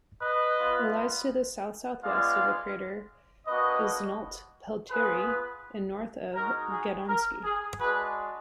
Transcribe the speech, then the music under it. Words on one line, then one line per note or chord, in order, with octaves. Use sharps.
It lies to the south-southwest of the crater Esnault-Pelterie, and north of Gadomski.
B4 D#5
B3 F4
G#3 B3 F4 D5 F5
A#3 D4 F#4 B4 D#5
B3 F4 G#4 B4
G#3 D#4 F#4 A#4
G#4
A#4
G#4
G#3 D4 F#4 G#4 B4